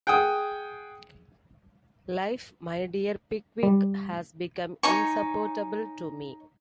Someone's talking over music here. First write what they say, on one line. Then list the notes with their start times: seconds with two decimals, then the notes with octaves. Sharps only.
Life, my dear Pickwick, has become insupportable to me.
0.07 G#4 F#5 G5 D#6
3.63 G3
4.83 D#4 C#5 G#5 C#6